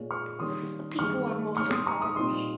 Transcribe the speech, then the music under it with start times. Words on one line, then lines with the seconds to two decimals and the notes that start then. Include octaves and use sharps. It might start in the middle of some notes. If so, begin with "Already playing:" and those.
The people are mostly farmers.
Already playing: A#2 G#3 C#4
0.11 C#6 F6
0.39 D#3 G3 A#3 C#4 C6 D#6
0.98 G2 D#3 G#3 C#6 F6
1.57 G#2 G3 C#4 C#6 F6
1.73 C6 D#6
1.86 A#5 C#6
2.01 C6 D#6
2.16 A#2 G3 C4 D#4 C6 D#6